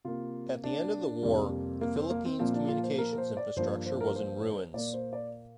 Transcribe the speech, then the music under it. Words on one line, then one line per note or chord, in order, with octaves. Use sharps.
At the end of the war, the Philippines' communications infrastructure was in ruins.
C3 A#3 F4
D4
F2 C3 G3 A#3
A#3
C4
A#3
C4
A#2 F3 A#3 C4
D4
F4
C5
A#4
A#4
C5
D5
G2 F3 A#3 C5
C5
A#4
C5
A#2 A#3 D5
C5
D5